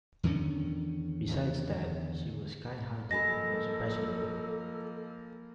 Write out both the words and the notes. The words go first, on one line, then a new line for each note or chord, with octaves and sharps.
Besides that, she was kind-hearted and most impressionable.
E2 D3 D#3 C#4
F3 A#3 A4 D#5 G#5 B5 A#6